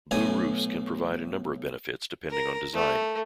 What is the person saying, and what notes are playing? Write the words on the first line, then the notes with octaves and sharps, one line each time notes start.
Blue roofs can provide a number of benefits depending on design.
B1 A2 G#5 D#6
A#4
A3